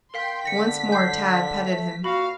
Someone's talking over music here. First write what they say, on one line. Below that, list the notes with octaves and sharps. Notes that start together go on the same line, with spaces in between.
Once more Tad petted him.
A#4 F5 G5 C6 B6
D3 A#6 B6 C#7
G6 C7
A3
A#2 F#4 F5 B5